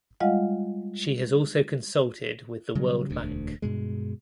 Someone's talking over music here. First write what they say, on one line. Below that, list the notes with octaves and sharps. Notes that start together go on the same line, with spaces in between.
She has also consulted with the World Bank.
G3 G#3 F4 D#5 F5 F#5
C#3 F#3 G3
E1 D2
G2 B2 G#3